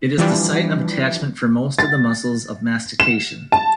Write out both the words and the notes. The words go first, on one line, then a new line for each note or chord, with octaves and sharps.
It is the site of attachment for most of the muscles of mastication.
E3 F3 G3 D4
A6
E7
A5